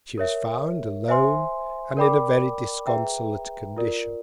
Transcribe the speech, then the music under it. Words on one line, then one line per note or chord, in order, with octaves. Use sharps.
She was found alone, and in a very disconsolate Condition.
A#4 C#5 E5
C5 E5 G#5 C6
A#4 D5 G5 B5 D6
G#4 B4 E5 G5 A#5
F4 A#4 D5